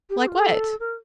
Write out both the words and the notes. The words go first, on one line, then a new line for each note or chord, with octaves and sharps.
"Like what?"
G4
A4
F4
A4
A#4